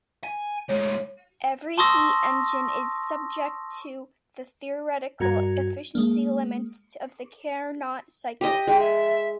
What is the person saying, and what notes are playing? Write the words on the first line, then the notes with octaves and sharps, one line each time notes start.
Every heat engine is subject to the theoretical efficiency limits of the Carnot cycle.
G#5
A2 G#3 C#5
A5 C6 C#6 D#6 E6 A#6
G2 F#4 A#4 F#5 A#5 G#6
G#3 A#3
G4 D#5
G#3 G5
E5